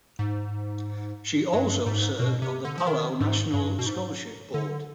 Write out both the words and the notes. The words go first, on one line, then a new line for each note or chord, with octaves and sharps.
She also served on the Palau National Scholarship Board.
G#2
G2
G#2
B2
C3
D3
F3
D#3
G#2
G2
B2
G#2
D3